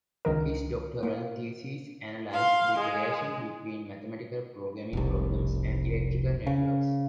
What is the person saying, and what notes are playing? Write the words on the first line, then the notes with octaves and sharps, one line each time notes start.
His doctoral thesis analyzed the relation between mathematical programming problems and electrical networks.
C#2 D#3 A#4
A#3
F5 C6
G#3
F1 C2
C#3